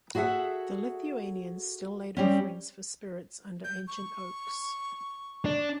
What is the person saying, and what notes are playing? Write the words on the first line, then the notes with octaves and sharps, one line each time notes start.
The Lithuanians still laid offerings for spirits under ancient oaks.
F#4 G#4 A4 E5 F#5
G3 C4 C#4
G6
C#6
D4